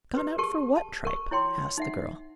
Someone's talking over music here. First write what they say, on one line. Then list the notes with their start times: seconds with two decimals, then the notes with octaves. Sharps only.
"Gone out for what tripe?" asked the girl.
0.14 G4 B4
0.38 G4 G#4 A#4 A5 C#6
0.77 A5
1.05 A#4 C#6
1.31 E4 C#5 G5 C6
1.78 D#4 E5 F#5